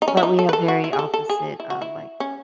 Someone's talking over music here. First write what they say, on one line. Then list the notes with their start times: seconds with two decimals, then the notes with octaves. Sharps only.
but we have very opposite, uh, like,
0.02 D#4
0.08 C#4
0.17 E4
0.23 D#4
0.39 A4
0.49 B4
0.53 A4
0.68 F#4
0.84 E4
0.93 G#4
0.99 A4
1.14 A4
1.29 G#4
1.60 E4
1.70 F#4
1.82 E4
2.20 C#4